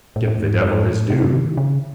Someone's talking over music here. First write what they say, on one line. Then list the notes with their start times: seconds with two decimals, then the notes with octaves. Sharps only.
Give the devil his due.
0.16 A2
0.28 A2
0.39 G#2
0.63 G#2
0.87 A2
1.10 C3
1.34 D#3
1.57 C#3